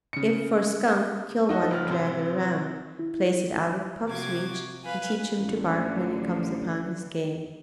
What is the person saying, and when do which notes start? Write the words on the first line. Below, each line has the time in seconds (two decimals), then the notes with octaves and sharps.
If for skunk, kill one and drag it around, place it out of pup's reach, and teach him to bark when he comes upon his game.
0.13 C#3 C#7
1.49 D#4 F#4 A4
1.71 C#2 F6
1.88 A1 C3 C5
2.99 E4
4.07 C3 F3 F#4 D6 G#6
4.84 B4 F5 G#5
5.37 A1 D3 A#3